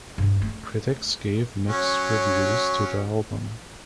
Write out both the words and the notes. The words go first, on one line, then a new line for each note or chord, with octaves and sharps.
Critics gave mixed reviews to the album.
G2
A3
F#3 C#4